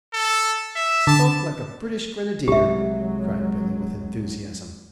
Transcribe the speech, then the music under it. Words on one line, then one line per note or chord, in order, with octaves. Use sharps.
"Spoke like a British Grenadier," cried Billy, with enthusiasm.
A4
E5
D3 A5
C2 F#3 G#3 G4 E5